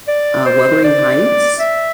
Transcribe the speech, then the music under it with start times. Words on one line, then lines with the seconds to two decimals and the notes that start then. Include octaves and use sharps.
uh, Wuthering Heights.
0.08 D5
0.46 C5
0.84 D5
1.59 E5